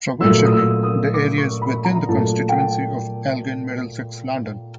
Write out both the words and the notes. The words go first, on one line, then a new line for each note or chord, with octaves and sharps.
Provincially, the area is within the constituency of Elgin-Middlesex-London.
A#2 F#3 A3 E6
D#6
E6
D#6
D6
C#6
B5
A#5
A#2 F#3 A3 A5
G5